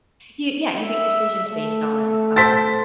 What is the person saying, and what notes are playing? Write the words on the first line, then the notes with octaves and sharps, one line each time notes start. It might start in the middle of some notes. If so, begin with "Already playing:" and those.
You yeah. You make decisions based on, um,
E5
A3
A4 C5 A6 B6